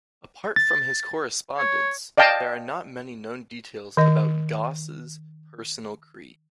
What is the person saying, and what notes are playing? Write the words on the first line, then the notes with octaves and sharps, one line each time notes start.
Apart from his correspondence, there are not many known details about Gauss' personal creed.
A6
C#5
D5 D#5 F5 G5 A5
D#3 D#5